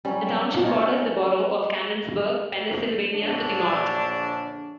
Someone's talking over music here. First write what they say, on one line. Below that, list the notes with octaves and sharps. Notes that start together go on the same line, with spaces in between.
The township borders the borough of Canonsburg, Pennsylvania to the north.
F#3 G3 C#4
D#4 F4 C#5
A#1 D3 C#4 D4